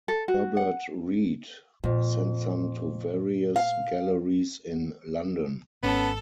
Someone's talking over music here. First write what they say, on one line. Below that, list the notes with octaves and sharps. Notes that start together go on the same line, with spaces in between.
Herbert Read sent some to various galleries in London.
A4
F#4
F#5
F2 A#2
F5
G#1 B3 C#4 A4